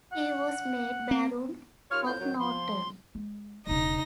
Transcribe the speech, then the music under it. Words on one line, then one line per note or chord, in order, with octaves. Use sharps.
He was made Baron Hocknorton.
F#5
C4
D#2 F4 C#5 F6
A2 F4 C5 G6
D#3 F#3
F3 C6
G#3
E1 C#3 D#4 A#6